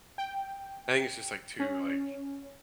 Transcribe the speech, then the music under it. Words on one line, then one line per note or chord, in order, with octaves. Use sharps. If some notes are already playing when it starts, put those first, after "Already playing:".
I think it's just, like, too, like
G5
C#4